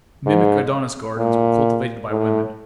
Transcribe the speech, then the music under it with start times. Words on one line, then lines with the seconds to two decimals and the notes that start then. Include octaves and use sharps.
Mimic Adonis gardens were cultivated by women.
0.27 G#2
1.18 A#2
2.09 A2